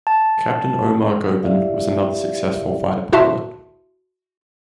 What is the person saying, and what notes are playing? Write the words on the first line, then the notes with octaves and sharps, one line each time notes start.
Captain Omar Goben was another successful fighter pilot.
A5
E4 G4 D5 E5 F5
E4 F#4 E5 A5 C6